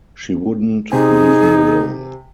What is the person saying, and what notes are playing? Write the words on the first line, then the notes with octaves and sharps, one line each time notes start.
She wouldn't leave me alone.
C3 C4 D#4 G#4 G#5